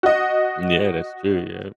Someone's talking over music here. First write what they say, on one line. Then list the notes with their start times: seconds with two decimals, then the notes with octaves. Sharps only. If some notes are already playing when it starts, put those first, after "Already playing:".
Yeah, that's true, yep.
0.03 F#4 D#5